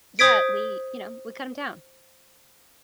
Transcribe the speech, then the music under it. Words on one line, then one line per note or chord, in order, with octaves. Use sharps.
yeah, we you know, we cut 'em down.
C5 D#6 G#6 B6 D7